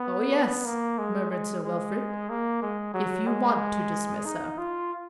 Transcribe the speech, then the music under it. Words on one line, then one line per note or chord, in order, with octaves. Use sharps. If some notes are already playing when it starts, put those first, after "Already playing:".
"Oh yes," murmured Sir Wilfrid, "if you want to dismiss her."
Already playing: B3
A#3
G#3
G#3
G#3
A#3
G#3
F#3
G#3
D#4
F4